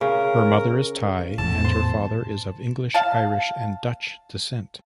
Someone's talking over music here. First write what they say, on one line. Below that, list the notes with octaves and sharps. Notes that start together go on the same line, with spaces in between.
Her mother is Thai and her father is of English, Irish and Dutch descent.
C#3 A#4
E2 A2 A5
C5
F5 A5